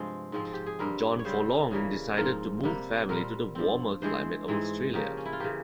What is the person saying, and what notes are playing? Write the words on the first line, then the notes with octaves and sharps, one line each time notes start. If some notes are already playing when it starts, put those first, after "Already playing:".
John Forlonge decided to move the family to the warmer climate of Australia.
Already playing: G2 C3 F3 G#3 C4 G#4
G#2 F3 G#3 C4
G4
G#4
G2 G3 C4 A#4
C#5
C#3 G3 C4 C5
C#3 E3 G3 A#3
G#2 F3 C4 A#4
C3 G3 A#3
A#2 G3 C4 A#4
G2 F3 C4
G2 E3 G#3 C4 C5
G#2 E3 G#3 C4
C#3 F3 A#3 G4
C#4
E4
F4
C#3 E3 A#3 G4